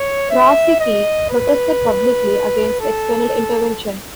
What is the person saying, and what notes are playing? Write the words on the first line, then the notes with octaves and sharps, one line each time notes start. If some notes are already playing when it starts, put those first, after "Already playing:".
Krasicki protested publicly against external intervention.
Already playing: C#5
E5
D#5
B4
A4